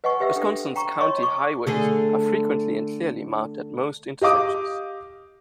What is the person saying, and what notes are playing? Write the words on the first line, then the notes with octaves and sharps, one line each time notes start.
Wisconsin's county highways are frequently and clearly marked at most intersections.
B4 D#5 F#5 G#5 C#6
G4 B4 E5 F#5 E6
D4 A4 G5
G5 A#5 C#6
C#5 D#5 C6 C#6
C#6 D6
D3 A3 G#4
G4 D#5 F5 D6 D#6